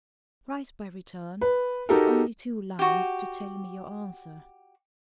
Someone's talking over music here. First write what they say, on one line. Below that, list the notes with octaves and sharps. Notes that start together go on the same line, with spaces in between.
Write by return, if only two lines, to tell me your answer.
B4
D#4 F#4 G4 A4 A#4
F#4 G4